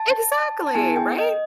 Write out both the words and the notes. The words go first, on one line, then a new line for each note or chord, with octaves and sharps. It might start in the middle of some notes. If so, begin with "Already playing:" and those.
Exactly, right?
Already playing: A5
A5
A5
B3 E4 G#4 G#5
G5
D#5